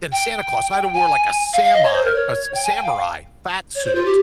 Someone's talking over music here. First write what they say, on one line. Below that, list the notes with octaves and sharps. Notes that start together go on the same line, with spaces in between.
than Santa Claus, so I had to wore like a samai a s samurai fat suit
G5
G#5
F5
F5
D#5
C#5
C5
A#4
C#5
G5
G#5
G5
F5
C#5
C5
F4
G4